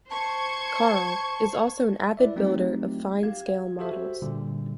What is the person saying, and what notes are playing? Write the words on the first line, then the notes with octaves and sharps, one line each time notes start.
Karl is also an avid builder of fine scale models.
C5 A5 C#6 G#6
E4 B4 D5 E5
F#3 A3 C4 D#4 F4 G4
G4 F5 G#6
F#4 G4 A4 C5 E5
A#2 D3 G3